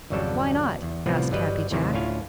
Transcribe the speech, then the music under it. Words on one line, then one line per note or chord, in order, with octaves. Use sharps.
"Why not?" asked Happy Jack.
G#1 F2 C#3 F#3 G3 A4
E2
C2 A2 C3 F3 B3
G1 F#3 G3 B4 D#5
D#2 A2 C3 D#3 A#3
D2 A2 C#4 F4 F5 G#5